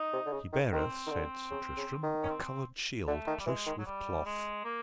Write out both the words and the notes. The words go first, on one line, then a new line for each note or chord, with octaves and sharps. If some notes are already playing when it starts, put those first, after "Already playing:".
He beareth, said Sir Tristram, a covered shield close with cloth.
Already playing: D#4
C3
D3
C#3
D#3
D#3 C4
D#3
D3
C#3
C#3
D#3
C#4
C4
D3 A3
D#3
G3
E3 G#3
D#3
F#3
G3
G#3
A#3